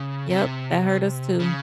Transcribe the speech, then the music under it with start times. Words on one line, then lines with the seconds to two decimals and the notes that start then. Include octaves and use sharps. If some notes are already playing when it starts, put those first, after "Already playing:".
Yep. That hurt us too.
Already playing: C#3
0.30 C3
1.40 C#3